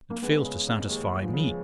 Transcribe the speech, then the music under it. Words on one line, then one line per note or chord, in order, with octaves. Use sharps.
It fails to satisfy Me.
A#3
G#3 B3
C#3
D#4
D#2 G#3
G#3
F3
C#3